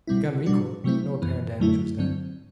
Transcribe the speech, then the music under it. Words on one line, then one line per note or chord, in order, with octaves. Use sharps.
The gun recoiled, but no apparent damage was done.
B2 G3 C4 E4
B2 G3 D4 F#4
C3 F#3 A3 C4 E4
F#2 E3 B3
F#2 D3 F#3 A3 E4
G2 D3 F#3 C4